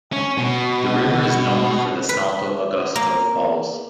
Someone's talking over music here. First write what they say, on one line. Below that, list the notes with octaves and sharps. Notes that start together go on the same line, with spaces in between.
The river is known for the Salto Augusto Falls.
C#4
B2
B4
A#3